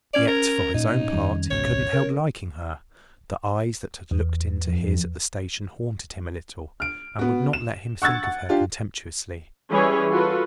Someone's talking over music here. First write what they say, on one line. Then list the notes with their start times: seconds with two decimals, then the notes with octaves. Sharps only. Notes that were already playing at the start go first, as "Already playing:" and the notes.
Yet, for his own part, he couldn't help liking her; the eyes that had looked into his at the station haunted him a little, and would not let him think of her contemptuously.
0.14 C#4 D5 G#6 F7
0.28 A#4
0.74 A#2 D#4
1.13 F2 D#3 G3
1.51 G#1 C#2 B2 C#5
1.93 C#3 A#4
4.11 E2
4.67 F2
6.80 F6 D7
7.19 B3 F#4
7.53 E7
8.02 F#5 C#6 E6 F#6 G#6 A6
8.24 F#5
8.49 D4 F4 G4
9.70 E3 G3 C#4 E4 G#4 C#5
10.11 F4 F#4 A4 B4